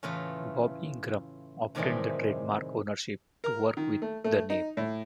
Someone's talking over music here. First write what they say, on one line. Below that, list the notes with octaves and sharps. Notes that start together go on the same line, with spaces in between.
Bobby Ingram obtained the trademark ownership to work with the name.
A2 C#3 E3 A3 F4 B4
A2 C3 D#3 E3 G3 G#3
A#4
D#3
A3
A3
D#4
A2